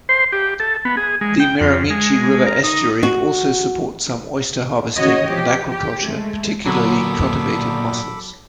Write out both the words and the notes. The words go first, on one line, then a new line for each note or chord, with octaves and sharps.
The Miramichi River estuary also supports some oyster harvesting and aquaculture, particularly cultivated mussels.
C5
G4
A4
B3
G#4
G#3
G5
F2
G#3
A#4
D#4
F#4
C#3 F#4 C#5 D#5
F3 G4
G4
G#3 A3
A#2 D3 F#3 B3 A4 B5 D6